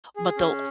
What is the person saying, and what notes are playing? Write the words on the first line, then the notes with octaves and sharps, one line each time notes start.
but, they'll
G#4
C#4